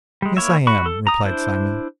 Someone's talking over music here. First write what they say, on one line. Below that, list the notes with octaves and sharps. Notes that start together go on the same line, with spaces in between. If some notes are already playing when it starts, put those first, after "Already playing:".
'Yes, I am,' replied Simon.
G3 G#3
A#3 E4 C#5 E5
F#4 B5 C#6
A4
A#5 D#6
D4 E4 C5